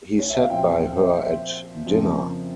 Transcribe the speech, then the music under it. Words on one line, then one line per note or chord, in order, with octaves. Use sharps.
He sat by her at dinner.
C#5
E5
F5
A#2 F3 C4 E5 G5
C5 E5
C5 E5
F2 C#3 F3 A#3 C#4